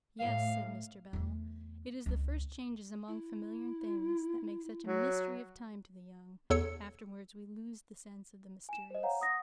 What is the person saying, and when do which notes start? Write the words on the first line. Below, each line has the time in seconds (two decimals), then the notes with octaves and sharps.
'Yes!' said Mr. Bell. 'It is the first changes among familiar things that make such a mystery of time to the young, afterwards we lose the sense of the mysterious.
0.20 A2 F5
1.13 E2 A3
2.06 C#2 G#3
3.08 E4
4.87 F#3
6.50 E2 A4 C#5 E6 C#7
8.69 G#5 E7
8.90 C5 D#5
9.03 C#5 F5 F#5 G#5 A#5
9.20 F#5 D#6 A#6